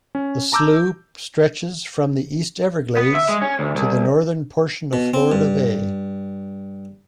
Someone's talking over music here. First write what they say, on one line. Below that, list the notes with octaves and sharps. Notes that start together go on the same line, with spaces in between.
The slough stretches from the east everglades, to the northern portion of Florida Bay.
C#4
A5 A#5 D6 E6 G6
B3
E5
G#3
C#4
D2
C2
B2
C4
G2